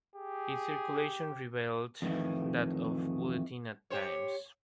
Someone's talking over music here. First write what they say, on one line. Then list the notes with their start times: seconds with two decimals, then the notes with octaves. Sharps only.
Its circulation rivalled that of the "Bulletin" at times.
0.16 G4 G#4
2.02 F2 A2 D#3 E3
3.90 G4 C5 C#5